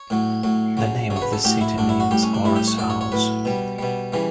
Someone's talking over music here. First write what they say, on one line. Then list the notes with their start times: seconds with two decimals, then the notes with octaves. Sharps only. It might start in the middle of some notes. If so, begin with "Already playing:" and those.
The name of the city means "Oros' house".
Already playing: C#5
0.10 A2 F#3
0.44 A2 F#3
0.77 C#3 F#3
1.10 C#3 F#3
1.16 C#5
1.22 B4
1.33 A4
1.44 A2 F#3 G4
1.61 E4
1.78 A2 F#3 D4
1.89 E4
2.00 F#4
2.11 A2 G3 G4
2.23 C#4
2.34 D4
2.44 A2 G3 E4
2.56 G4
2.67 C#5
2.78 A2 F#3 D5
2.90 C#5
3.01 C#5
3.12 A2 F#3 B4
3.45 B2 G3
3.79 B2 G3
4.13 C#3 E3 G3